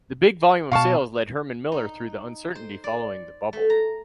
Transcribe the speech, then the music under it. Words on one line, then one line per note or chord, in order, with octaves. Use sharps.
The big volume of sales led Herman Miller through the uncertainty following the bubble.
B2 F5 A5 C#6 F6
D#4
C5
D5
A3
A#5